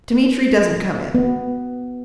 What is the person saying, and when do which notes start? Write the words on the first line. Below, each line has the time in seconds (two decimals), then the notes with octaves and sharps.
Dmitri doesn't come in.
1.15 B3